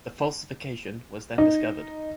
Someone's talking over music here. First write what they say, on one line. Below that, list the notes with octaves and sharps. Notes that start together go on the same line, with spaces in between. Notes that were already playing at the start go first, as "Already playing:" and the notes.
The falsification was then discovered.
D#4